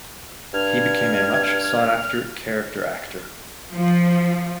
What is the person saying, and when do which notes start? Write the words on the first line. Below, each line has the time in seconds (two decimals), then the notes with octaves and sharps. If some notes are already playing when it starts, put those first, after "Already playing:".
He became a much sought after character actor.
0.54 G2 F6 G#6
3.71 F3